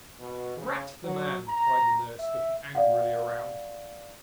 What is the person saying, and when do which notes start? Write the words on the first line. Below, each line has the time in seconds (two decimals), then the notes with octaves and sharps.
'Drat the man!' cried the nurse, looking angrily around.
0.20 B2
0.58 C#3
1.04 F#3
1.48 A#5
2.20 E5
2.75 D5 F5 F#5